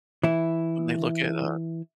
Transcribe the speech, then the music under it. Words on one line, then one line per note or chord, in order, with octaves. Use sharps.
when they look at, uh
E3 E4